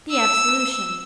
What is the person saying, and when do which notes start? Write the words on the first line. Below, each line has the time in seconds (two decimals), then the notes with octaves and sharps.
The Absolution.
0.12 E6